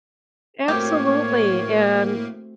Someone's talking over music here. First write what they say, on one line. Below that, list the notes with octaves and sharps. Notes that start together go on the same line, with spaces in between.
Absolutely, and
A2 A3 A#3 C4 F#4 G4 C#5